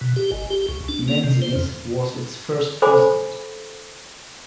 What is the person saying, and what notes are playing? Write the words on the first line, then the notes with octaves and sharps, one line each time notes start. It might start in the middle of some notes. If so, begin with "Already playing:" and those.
Menzies was its first President.
B2
G4
G#1
G4
C#2
D4
A#3
C3
C5
F2
A4 C5 G#5 B5 D6